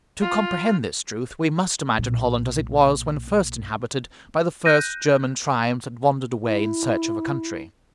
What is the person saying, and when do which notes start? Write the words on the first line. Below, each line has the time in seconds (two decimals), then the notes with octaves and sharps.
To comprehend this truth, we must imagine Holland as it was when first inhabited by the first German tribes that wandered away in search of a country.
0.21 F4
1.99 B1 A#2
4.65 F#6 G6 A#6 D#7
6.46 E4